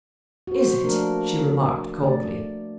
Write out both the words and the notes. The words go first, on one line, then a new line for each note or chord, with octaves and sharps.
"Is it!" she remarked coldly.
F#4 C5
F3 A3 A#3 D4 A#4
A3 D5